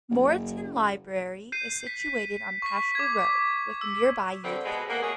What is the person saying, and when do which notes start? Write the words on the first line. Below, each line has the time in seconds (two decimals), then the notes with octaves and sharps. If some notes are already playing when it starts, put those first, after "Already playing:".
Moreton Library is situated on Pasture Road, with a nearby youth club.
0.10 F#1
1.52 G6 C7 D#7
1.87 B6
2.62 C#6 B6
2.95 D6 G#6
3.18 D6
3.81 E6
4.44 G2 D3 C4 B4
4.65 B2 G#3 B3 G#4
4.90 A#3 B3
5.02 G#4 C#5